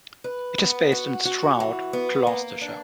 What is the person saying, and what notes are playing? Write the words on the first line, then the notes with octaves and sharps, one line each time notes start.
It is based in Stroud, Gloucestershire.
B4
B3
F#4
F#4
E3
B3
A#3
D4